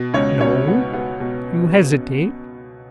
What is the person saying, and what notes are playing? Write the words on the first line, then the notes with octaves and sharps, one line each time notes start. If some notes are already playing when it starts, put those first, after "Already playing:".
No? You hesitate?
Already playing: B2
C#2 C#4 C#5
B2 C#4 C#5
B3
B3
B2